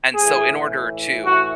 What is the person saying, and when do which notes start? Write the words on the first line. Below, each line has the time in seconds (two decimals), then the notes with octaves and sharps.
and so, in order to
0.15 A2 E3 G#4
1.24 F#4